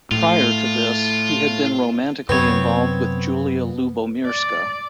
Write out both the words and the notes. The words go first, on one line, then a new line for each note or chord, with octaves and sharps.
Prior to this, he had been romantically involved with Julia Lubomirska.
A2 F4
F#2 C3 F#3 B3 C4 C#5
D5